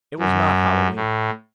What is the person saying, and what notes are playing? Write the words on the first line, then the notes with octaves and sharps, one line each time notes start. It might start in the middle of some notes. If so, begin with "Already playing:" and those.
It was not Halloween.
F#2
A2